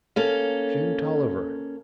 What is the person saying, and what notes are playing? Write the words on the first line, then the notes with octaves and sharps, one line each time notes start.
"June Tolliver."
A#3 C#4 A4